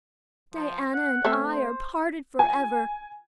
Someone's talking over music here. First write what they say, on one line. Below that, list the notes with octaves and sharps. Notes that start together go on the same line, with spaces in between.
Diana and I are parted forever.
F3
F#5
A3 C4 E5
C5
G#5